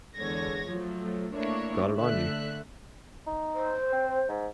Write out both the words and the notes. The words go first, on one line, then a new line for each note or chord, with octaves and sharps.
Got it on you?
E2 D3 G#3 C#5 G#6 A#6
F3 F#3 A3
A3 A#3 D4 E4 C#5
D3 A3 E5 F#6
D#4
C5
C4
G#2